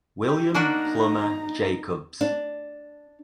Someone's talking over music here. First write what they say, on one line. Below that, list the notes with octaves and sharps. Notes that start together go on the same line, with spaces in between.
William Plumer Jacobs.
G4
A#3 D4 D#4 F#4 A#5
D4